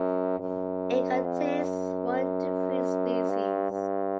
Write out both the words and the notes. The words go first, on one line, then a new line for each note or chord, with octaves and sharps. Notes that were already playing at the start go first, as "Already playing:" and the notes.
It contains one to three species.
Already playing: F#2
F#2
F2
F#2
G2
G2